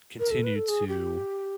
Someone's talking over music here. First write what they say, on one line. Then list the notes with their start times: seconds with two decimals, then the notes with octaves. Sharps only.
continue to
0.19 A#4
0.31 A4
0.43 B4
0.56 A4
0.68 G#4
0.87 G4